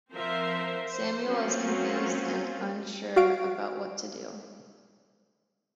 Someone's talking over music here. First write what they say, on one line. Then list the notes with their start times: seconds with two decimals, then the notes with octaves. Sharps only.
Samuel is confused and unsure about what to do.
0.12 F3 C4 A#4 C5 E5 C6
0.89 C5
1.27 F#3 A#3 C4 C#4 F4
3.16 F#4 F5 D7